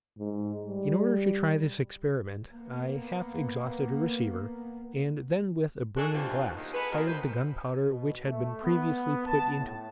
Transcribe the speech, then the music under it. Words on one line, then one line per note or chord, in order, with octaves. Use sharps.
In order to try this experiment I half exhausted a receiver, and then with a burning-glass fired the gunpowder which had been previously put into it.
G#2
G3
A#3 B3
D4 F#4 G#4 A4
B2 D3 E3 C4 F4 G4
D#2 D#3
B3 G#4 A4 B4
G#3 A#3 B3 D#4 F#4 A#4
D2 B4 C5
B2
A3
B3
A5
A2